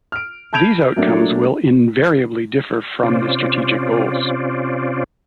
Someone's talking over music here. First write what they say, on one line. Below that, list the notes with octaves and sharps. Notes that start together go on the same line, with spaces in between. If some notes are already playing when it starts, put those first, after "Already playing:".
These outcomes will invariably differ from the strategic goals.
F6 D7
A5 B5 G6 G#6 D7 F7
F#3 A3 A#3 D4
C3 C#4 F4 C5 D5